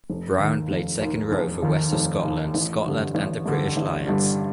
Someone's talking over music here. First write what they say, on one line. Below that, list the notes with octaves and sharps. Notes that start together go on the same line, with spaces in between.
Brown played second row for West of Scotland, Scotland and the British Lions.
F1
D#2 D#3
F1
D#2 D#3
F1
D#2 D#3
F1
D#2 D#3
A1
G2 D3 G3
A1
G2 D3 G3
A1
G2 D3 G3